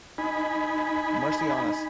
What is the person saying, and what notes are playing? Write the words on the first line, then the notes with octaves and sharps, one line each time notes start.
Mercy on us!
D#4 G#5 B5